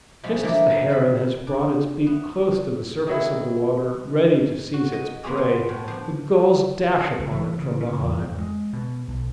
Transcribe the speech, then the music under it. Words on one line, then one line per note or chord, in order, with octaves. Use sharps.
Just as the heron has brought its beak close to the surface of the water, ready to seize its prey, the gulls dash upon it from behind.
B2 F3 G3 G#3 B5
D3 E3 F3 A#3 D4
D#3 B4 C5 B5
D4
B3
D#3 F#3 E4
F#4
D#5
G#3 A#3 B3 F4 G#4
B3
A2
F3 D4
C#2
E3
C#3
C#3
E2
F2
G#3
B2
B1